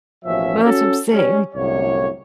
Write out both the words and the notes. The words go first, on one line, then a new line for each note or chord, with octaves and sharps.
Well, that's what I'm saying and it
A1 D#2 B2 F3 C#4 E5
C#4 F#4 A4
G3 C#4
C2 F#2 A2 D3 A#3 C#5